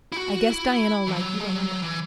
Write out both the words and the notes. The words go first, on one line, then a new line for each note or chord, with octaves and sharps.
I guess Diana'll like you well enough.
E4
F#4
E4
E3
F#3
G#3
F#3
E3